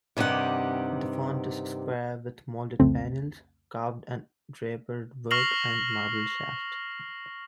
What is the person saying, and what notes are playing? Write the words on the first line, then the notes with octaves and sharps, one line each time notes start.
The font is square with molded panels, carved an drapered work, and marble shaft.
G2 C3 D#3 G4 F#5
C2 F2 C#3 A3 C4
C#6 F6 A#6 C7 F7 F#7